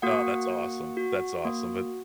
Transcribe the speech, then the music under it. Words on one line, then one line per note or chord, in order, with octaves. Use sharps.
Oh, that's awesome, that's awesome, but
A#3 F#4 F#5
F#4
F#4
A#3